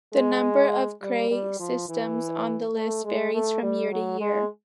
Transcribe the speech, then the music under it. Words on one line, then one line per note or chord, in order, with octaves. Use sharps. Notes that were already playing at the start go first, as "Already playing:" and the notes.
The number of Cray systems on the list varies from year to year.
G#3
G3
G3
F3
E3
A3
G#3
A3
G3
F#3
G#3